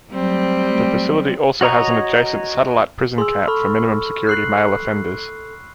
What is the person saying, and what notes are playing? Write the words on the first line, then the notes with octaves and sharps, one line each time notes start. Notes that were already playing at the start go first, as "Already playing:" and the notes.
The facility also has an adjacent satellite prison camp for minimum-security male offenders.
F#3 G3 A3 C4
F#4 C#5 D#5 A#5 C#6
G#4 C6 E6
A4 B5 C#6 F6
F#6 C7 F#7